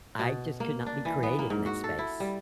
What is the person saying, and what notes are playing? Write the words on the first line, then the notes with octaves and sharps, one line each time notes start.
I just could not be creative in that space.
B2
A#3
D4
E3
B3
A#3
G#2
F#4
A4
E4
G3